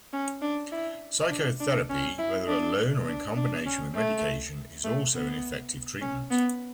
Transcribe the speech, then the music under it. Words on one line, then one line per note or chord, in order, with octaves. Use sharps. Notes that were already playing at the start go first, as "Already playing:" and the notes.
Psychotherapy, whether alone or in combination with medication, is also an effective treatment.
C#4
D4
E4
D4
D4
C#4
E4
D4
D4
D4
C#4
A3
A3
B3
C#4
B3